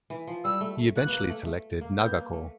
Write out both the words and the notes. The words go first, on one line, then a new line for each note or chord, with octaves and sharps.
He eventually selected Nagako.
E3
F3
G3 E6
A3
A3
A#3 F#6
B3
A#3
A3
A3
A#3
B3 G6
A#3
A3